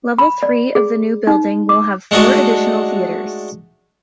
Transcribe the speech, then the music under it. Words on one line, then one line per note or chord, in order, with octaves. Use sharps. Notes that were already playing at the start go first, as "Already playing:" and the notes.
Level three of the new building will have four additional theatres.
B5
D5
G#4
D#4
D6
G#3 A3 D4 D#4 F#4